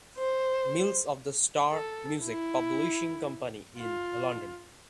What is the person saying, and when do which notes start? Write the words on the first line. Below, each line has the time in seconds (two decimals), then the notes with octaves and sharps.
Mills of the Star music publishing company in London.
0.18 C5
1.72 A4
2.23 E4
3.78 F4